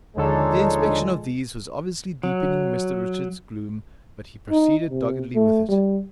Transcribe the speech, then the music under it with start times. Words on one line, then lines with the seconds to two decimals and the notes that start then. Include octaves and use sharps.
The inspection of these was obviously deepening Mr Richards' gloom, but he proceeded doggedly with it.
0.17 D#2 D3 F3 G#3 D4 D#4 A4 C#5
2.24 F#3
4.50 D#4
4.90 C3
5.35 A3
5.69 G3